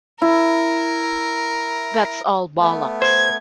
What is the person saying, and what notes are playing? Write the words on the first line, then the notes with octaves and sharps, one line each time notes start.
That's all bollocks.
E4 A#4
A3 B3
C5 G#6